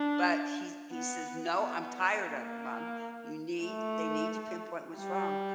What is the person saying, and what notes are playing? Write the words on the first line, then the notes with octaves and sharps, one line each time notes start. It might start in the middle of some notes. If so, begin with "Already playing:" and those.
but he he says, "No, I'm tired of it mom you need they need to pinpoint what's wrong."
Already playing: D4
B3
B3
A#3
A3
G3